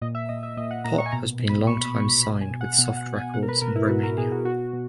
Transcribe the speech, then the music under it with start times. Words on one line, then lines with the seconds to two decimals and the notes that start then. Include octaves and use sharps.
Pop has been longtime signed with Soft Records in Romania.
0.01 A#2 D#5
0.15 E5
0.29 A#2 D#5
0.43 E5
0.57 A#2 D#5
0.71 F#5
0.84 A#2 A#5
0.98 C#6
1.06 G#5
1.12 B2 A#5
1.39 B2
1.49 B5
1.67 B2 C#6
1.81 B5
1.96 B2 C#6
2.09 B5
2.23 B2 B5
2.41 G#5
2.51 B2
2.61 F#5
2.78 B2 F#5
2.97 F#5
3.06 B2
3.16 G#5
3.34 B2 F#5
3.43 A#4
3.48 B4
3.61 B2 A#4
3.76 E4
3.89 B2 F#4
4.03 A#4
4.17 B2 G#4
4.32 F#4
4.45 B2 F#4
4.73 B2